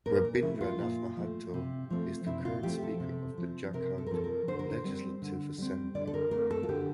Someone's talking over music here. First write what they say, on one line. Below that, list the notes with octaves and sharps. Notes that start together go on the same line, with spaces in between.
Rabindra Nath Mahato is the current Speaker of the Jharkhand Legislative Assembly.
A#2 A#4
A#4
F3 A3 E4
F4
A#2
F3 A3
C3
F3 A3 C4
C3 E4
F4
F3 A3 C4 G4
A4
C3
F3 C4
C3 A#4
A4
A#4
F3 C4 A4
A#4
D3 C5
A#4
C5
G3 C4
D3
G3 C4
D3 D5
A4
A#4
A3 C4 A#4
A4
F4
D3 G4